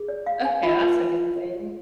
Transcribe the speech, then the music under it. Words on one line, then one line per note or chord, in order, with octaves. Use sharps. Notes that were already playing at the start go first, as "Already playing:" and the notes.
Okay, that's a good thing.
Already playing: G#4
D5
F5
G#5
F4
B4